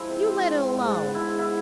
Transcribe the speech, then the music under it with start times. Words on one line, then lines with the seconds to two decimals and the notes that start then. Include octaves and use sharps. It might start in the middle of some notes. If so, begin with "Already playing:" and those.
You let it alone!
Already playing: F3 G#3 E4
0.09 C3
0.25 C4
0.41 G#3
0.57 G#3
0.74 G#2
0.90 G#2 D4
1.06 B3
1.15 E4
1.22 G#3
1.39 B3 E4